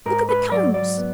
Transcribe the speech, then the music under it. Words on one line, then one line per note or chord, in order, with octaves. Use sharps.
Look at the Cones!
G#2 A#4
B4
F#3 D5
D5
B3